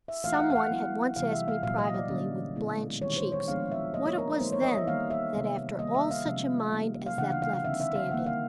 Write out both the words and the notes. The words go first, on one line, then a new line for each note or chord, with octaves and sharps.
Some one had once asked me privately, with blanched cheeks, what it was then that after all such a mind as that left standing.
E5
E3 A3 D4 F4 F5
F#5
F5
F5
F#5
F#3 B3 E4
C3 E3 G3 F5
E5
F5
A#2 F#3 A3 F5
D#5
D5
D3 G3 A#3 C#4
B2 G#3 B3 E4
D#3 G3 C4 C#5
C5
C#5
F3 G#3 B3 D4 F5
E5
F3 A#3 D#4 D#5
C#5
A#4
E3 G3 B3 D#4 C5
C#5
D#5
E5
D#3 G3 A#3 D#4 F5
E5
C3 D#3 G3 B3
D#3 G3 A#3 D#5
E5
F5
C3 F3 G#3 C#4
G3 A#3 D#4
F5
C#3 E3 A3 D4 F#5
F5
F5
F5
D3 G3 C4 D#4 E5
E5
F5
D#3 G3 A#3 D#4 F#5
F5